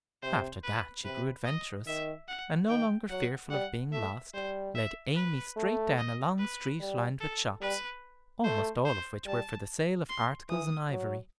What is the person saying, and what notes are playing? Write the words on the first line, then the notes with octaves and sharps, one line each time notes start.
After that she grew adventurous, and, no longer fearful of being lost, led Amy straight down a long street lined with shops, almost all of which were for the sale of articles in ivory.
C3 C5
B4
C3 B4
D#5
D#3 E5
F#5
D#3 G5
F#3 F#5
G3 F#5
A3 E5
G3 C5
E5
B4
A3
D#5
B4
G3
A4
G3 B4
A3 C5
C5
G3 A5
C6
E3 D#6
F#3